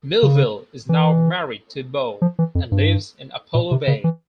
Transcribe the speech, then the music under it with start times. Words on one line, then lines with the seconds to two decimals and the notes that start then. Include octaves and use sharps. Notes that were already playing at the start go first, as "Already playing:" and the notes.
Melville is now married to Bo, and lives in Apollo Bay.
0.23 C#3
0.89 E3
2.22 F3
2.39 E3
2.55 F2
2.72 G2
3.55 A#2
3.71 C3
3.88 C#3
4.04 E3